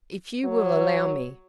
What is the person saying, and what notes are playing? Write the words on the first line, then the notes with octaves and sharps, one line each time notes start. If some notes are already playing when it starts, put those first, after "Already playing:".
If you will allow me.
F#3